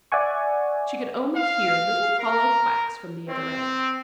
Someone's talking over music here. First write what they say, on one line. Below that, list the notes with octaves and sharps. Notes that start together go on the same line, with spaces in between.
But she could only hear little hollow quacks from the other end.
D5 E5 F#5 G#5 C#6
F5
A#4
C4